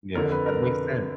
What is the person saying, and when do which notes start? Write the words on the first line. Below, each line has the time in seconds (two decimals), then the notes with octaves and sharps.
Yeah. That makes sense.
0.15 F2 D3 A#4
0.31 B4
0.46 A#4
0.63 B4